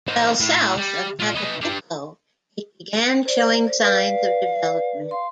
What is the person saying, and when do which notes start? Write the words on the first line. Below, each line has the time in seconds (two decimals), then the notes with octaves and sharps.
While south of Acapulco, it began showing signs of development.
0.07 C4 D#4
0.40 A2
0.78 G3
1.20 F4 D5
1.35 D#4 B4
1.61 G3 D4
3.25 C5 D5
3.82 B4 D5 F5
5.11 F5 C6